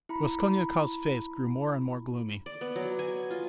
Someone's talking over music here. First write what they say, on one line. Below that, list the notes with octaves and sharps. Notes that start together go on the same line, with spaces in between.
Raskolnikov's face grew more and more gloomy.
E4 A#5 B5
D5
B3
F#3
G#5
F4